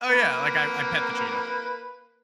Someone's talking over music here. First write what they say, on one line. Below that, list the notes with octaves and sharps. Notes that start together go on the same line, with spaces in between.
Oh yeah, like I I pet the cheetah.
A#3 B4